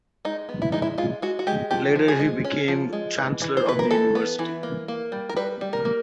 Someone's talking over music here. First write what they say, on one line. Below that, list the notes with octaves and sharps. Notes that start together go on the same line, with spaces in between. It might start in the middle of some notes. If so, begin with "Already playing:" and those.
Later, he became chancellor of the university.
G#3 D#4
B3
E4
G#3 D#4
E4
G#3 F4
G#3 F#4
F#4
G#3 G4
F3 G4
F3
G#4
G#3
C#4
F3
G#3
E3
E3
C5
E3 B4
A#4
E3 A4
B3
E3
A#3
A#3
G3
A#4
G3 B4
G3
A#4
A#3